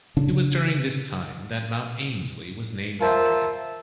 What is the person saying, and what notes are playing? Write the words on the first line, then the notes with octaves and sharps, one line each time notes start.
It was during this time that Mount Ainslie was named after him.
C#3 D4
F4 A#4 C5 E5 A5